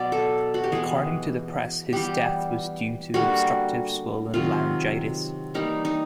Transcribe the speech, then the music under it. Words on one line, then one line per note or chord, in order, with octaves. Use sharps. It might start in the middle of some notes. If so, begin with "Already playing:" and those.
According to the press his death was due to obstructive swollen laryngitis.
Already playing: B2 F#3 B3 D5
A4
F#4
G4
E3 G#3 B3 G#4
E3 G3 B3 G4
D3 G3 A#3 F#4
C3 D#3 F#3 F4
E3 G3 A#3 D#4
D#4